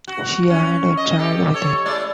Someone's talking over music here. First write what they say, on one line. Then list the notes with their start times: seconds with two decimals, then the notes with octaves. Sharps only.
She had a child with him.
0.08 F#4
0.50 C#4
0.97 D#5
1.19 G4 A4
1.54 A4 C#5
1.85 G#3 E4 D5